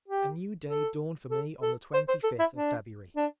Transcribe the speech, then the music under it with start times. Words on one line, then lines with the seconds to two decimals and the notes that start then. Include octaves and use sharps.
A new day dawned for me on the twenty-fifth of February.
0.08 G4
0.69 A4
1.31 A4
1.62 A4
1.94 C5
2.08 C5
2.24 A4
2.39 E4
2.55 D4
3.16 D4